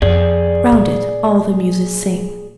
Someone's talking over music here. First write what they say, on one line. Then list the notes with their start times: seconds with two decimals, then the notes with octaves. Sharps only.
Round it all the Muses sing.
0.02 F2 G#4 D5
0.72 A#2